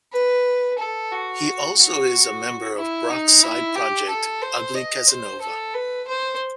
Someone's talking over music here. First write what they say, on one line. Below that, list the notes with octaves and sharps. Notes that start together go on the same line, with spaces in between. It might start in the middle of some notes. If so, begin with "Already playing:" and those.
He also is a member of Brock's side project Ugly Casanova.
B4
A4
F#4
F#4
E4
D#4
E4
G4
A4
C5
D#5
C5
A4
B4
C5